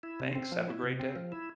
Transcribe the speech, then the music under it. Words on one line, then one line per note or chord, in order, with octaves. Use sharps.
Thanks, have a great day.
E4
C3
C4
F3
E4
C3
C4
F3
E4